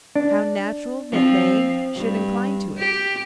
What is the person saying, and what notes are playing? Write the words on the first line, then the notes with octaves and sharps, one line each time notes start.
How natural that they should incline to it!
D4
F3 C4
G2
G4